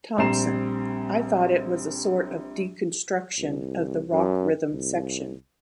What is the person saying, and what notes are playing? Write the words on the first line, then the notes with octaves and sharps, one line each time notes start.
Thompson: I thought it was a sort of deconstruction of the rock rhythm section...
A#1 G3 C4 A#5 C7 E7
C2
F#2
C2